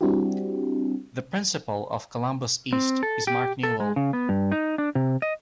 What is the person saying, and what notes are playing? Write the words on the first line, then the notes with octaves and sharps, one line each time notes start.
The principal of Columbus East is Mark Newell.
G3 C4 D4 E4 F#4 G4
C4
A4
G4
A4
G#3
C#3
B3
G2
D#4
D4
C3
D#5